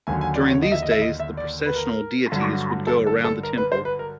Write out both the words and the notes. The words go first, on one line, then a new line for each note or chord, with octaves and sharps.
During these days the processional deities would go around the temple.
D#2 D3 F#3 G#5
G#5
D5
C#5
D#5
E5
D#5
E5
D#5
E5
D5
B4
A#4
G2 D3 F#3
A4
A4
A4
A#4
B4
C5
B4
A#4